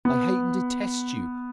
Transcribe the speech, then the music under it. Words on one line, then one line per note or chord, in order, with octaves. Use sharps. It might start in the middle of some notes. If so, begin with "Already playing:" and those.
I hate and detest you!
B3